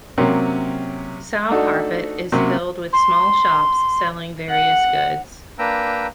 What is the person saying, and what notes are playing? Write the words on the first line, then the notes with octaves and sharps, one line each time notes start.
Sowcarpet is filled with small shops selling various goods.
C3 F#3 A#3 C4 C#4 A#4
A3 D4 D#4 F#4 A4
C3 F#3 A#3 C4 C#4
C6
F#5
A#3 D4 B4 G5 A#5 E6